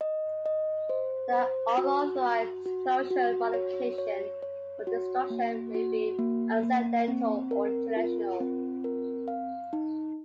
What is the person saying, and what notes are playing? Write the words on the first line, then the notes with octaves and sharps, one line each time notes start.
The unauthorized disclosure, modification, or destruction may be accidental or intentional.
D#5
D#5
C5
C5
F#4
F#4
F#4
F#4
C#5
C#5
C#5
F#4
A#3
F#4
A#3
A#3
C4
A#4
F4
C4
A#4
F5
D#4